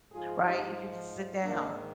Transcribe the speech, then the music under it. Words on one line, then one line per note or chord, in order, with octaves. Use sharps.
right? You could just sit down.
G#2 F3 F4 G#4
D#4 G4
G#2 D#3 A#3 D4